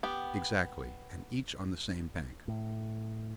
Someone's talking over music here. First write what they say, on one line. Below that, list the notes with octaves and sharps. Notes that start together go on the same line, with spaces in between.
"Exactly, and each on the same bank."
B3 G4
A2